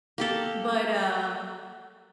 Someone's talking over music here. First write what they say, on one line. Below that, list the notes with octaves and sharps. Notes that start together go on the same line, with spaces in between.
But, uh
A#3 G4 A4